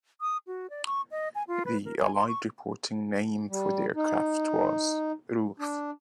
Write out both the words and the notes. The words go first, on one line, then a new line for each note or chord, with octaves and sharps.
The Allied reporting name for the aircraft was Rufe.
D#6
F#4
D5
C#6
D#5
G#5
F4
B4
A#4
G#5
C6
C#6
G3
D#4
D4